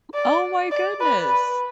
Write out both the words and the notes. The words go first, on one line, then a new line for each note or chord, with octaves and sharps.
Oh, my goodness.
D5
D5
B4
B4